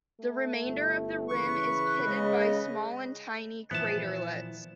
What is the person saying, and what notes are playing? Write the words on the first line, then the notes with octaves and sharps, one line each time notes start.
The remainder of the rim is pitted by small and tiny craterlets.
A3
G1
C#3 E3 B4 C#6
C#3 G#3 D#5
A#2 E3 F3 B3 A5